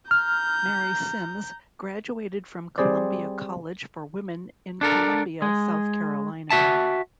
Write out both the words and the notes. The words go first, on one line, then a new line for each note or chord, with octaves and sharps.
Mary Simms graduated from Columbia College for Women in Columbia, South Carolina.
A#5 F6 G6
G3 C4 G#4 C5 D5
D4 A4 A#4
G#3
F#4 E5 A5